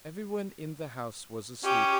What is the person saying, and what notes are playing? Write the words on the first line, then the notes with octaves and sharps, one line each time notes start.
Everyone in the house was asleep.
C#4 G4